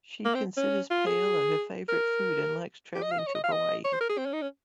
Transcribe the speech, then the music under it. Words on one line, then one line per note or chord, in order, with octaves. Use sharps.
She considers paella her favorite food and likes traveling to Hawaii.
A#3
C4
C#4
F4
G#4
A#4
G4
D#5
F5
D#5
C#5
D#5
F5
D#5
C#5
C5
A#4
G#4
C4
C#4
D#4
C#4